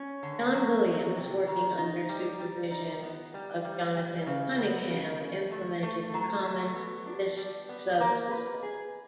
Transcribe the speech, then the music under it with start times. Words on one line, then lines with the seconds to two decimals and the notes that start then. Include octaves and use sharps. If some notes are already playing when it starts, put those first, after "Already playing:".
John Williams, working under supervision of Jonathan Cunningham implemented the Common Lisp subsystem.
Already playing: C#4
0.23 D3
0.54 F#3
0.85 F#3
1.16 C3
1.47 D#3
1.78 D#4
2.09 G3
2.40 G3
2.71 D#4
3.03 B3
3.34 G3
3.65 G3
3.96 G3
4.27 C#3
4.58 B3
4.89 C#3
5.20 C#3
5.51 A3
5.83 A3
6.14 F#3
6.45 A3
6.75 B3
7.06 D4
7.37 G3
7.69 B3
8.00 A#3
8.31 B4
8.63 G#4